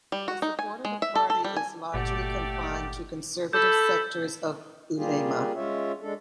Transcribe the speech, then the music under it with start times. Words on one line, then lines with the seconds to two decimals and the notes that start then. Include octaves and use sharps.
The support of the party is largely confined to conservative sectors of ulema.
0.12 G3
0.28 F#4
0.42 D#4
0.59 G#5
0.85 G#3
1.02 E5
1.15 A4
1.30 A4
1.44 G3
1.57 G#5
1.94 G1 A#2 A3 G4 D5 F#5
3.53 A4 A5 B5 D6 E6 G6
4.97 G3 A#3 F4 G4 G#4
5.55 G#3 C#4 F4 C#5 E5
6.01 G#3 D4 A4